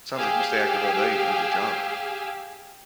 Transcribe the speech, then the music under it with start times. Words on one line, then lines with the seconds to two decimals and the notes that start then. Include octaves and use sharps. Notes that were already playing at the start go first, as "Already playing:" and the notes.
it sounds like you stay active all day with your job.
0.13 G4 G#4 F5 G#5 E6